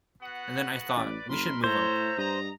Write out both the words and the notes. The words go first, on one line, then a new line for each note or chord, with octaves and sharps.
And then I thought, 'We should move up.
B3 F#4 F#5
A1 B4 D5
F#1 A#4 B5 C6
A2 C5 C#5 E5 A#5
G2 D#5 A#5